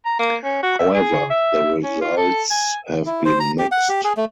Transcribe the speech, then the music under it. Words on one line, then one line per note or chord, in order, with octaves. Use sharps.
However, the results have been mixed.
A#5
A#3
C#4
F#4
E5
G#4
E5
C#4
F4
A4
G#5
E4
C5
A#5
G4
F#5
G4
G#4
A3